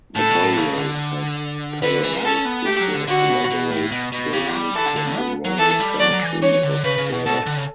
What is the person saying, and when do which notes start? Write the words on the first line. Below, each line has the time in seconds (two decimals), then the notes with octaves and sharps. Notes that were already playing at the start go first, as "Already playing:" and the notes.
The burial has parallels with the elaborate burials from the Royal Cemetery of Ur.
0.16 A2 A4
0.30 B2
0.43 A2
0.57 C#3
0.78 D3
1.82 D3 B4
2.03 E3
2.24 C#4 A4
2.45 B3
2.66 A3 G4
2.80 F#3
2.94 D3
3.08 D3 F#4
3.29 B2
3.50 B2
3.71 A2
3.92 B2
4.12 B2
4.33 C#3 G4
4.54 G3
4.75 E3 A4
4.86 D3
4.96 D3
5.06 C#3
5.17 B3
5.45 F#3
5.59 E3 A4
5.80 G3
6.00 F#3 D5
6.11 F#3
6.21 E3
6.42 E3 C#5
6.63 D3
6.84 C#3 B4
6.98 C#3
7.12 B2
7.25 B2 A4
7.47 D3
7.57 C#3